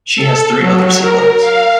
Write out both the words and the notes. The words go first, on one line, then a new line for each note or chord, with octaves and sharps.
She has three other siblings.
A4
F#3
A#4
F5